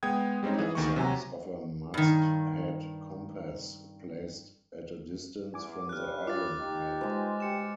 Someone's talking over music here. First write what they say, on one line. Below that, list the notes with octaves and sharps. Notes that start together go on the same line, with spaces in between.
Absence of a mast head compass placed at a distance from the iron hull.
G#3 B3 G5 D#6 G#6
G3 G#3 C4 C#4 D#4
E3 G#4
D2 D#3 A#3 C#6
C3 F#3 G#5 A#5
G2 D#3
E2 G#5 D6
G2 G3 C#4 F6 F#6
F4 D6 F6 A6
D#4 G4
G#3 C5
D2 G4 C#7 E7